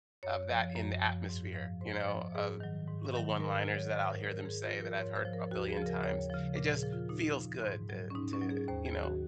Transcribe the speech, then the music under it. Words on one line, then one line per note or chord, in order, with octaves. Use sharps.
of that in the atmosphere, you know, of little one-liners that I'll hear them say that I've heard a billion times. It just feels good to to, you know,
F#2 C#5
F3
F#2
F3
G#2
F3
G#2 C5
C5
F3
G#2 G#4
D#3 F#3
G#2
D#3 F#3
G#2 A#4
D#3 F#3
C#5
G#2
C5
A#4
D#3 F#3
A#4
G#2 G#4
F4
F3
A#4
G#2 C#5
C5
F3
A#4
D#2 F#4
G#4
F3
C#3 A#4
D#2 C#5
C#3 F3
A#2 A#4
G#4
F3
F4
A#2 D#4
F3
G#2
F#3
C#4
G#2 D#4
C#4
F#3
G#4
D#2 C5
G#4
D#3 F#3
F#4